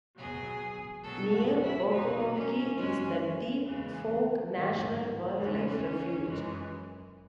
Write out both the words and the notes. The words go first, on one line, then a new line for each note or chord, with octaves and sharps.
Near Okmulgee is the Deep Fork National Wildlife Refuge.
B2 F#3 G#4
B2 F#3 A4
F#4
E4
B2 F#3 D#4
C#4
F#2 E3 G#3 C#4
E2 C#3 E3 G#3
G#2 D#3 G#3
E2 C#3 E3 G#3 C#4
F#2 E3 G#3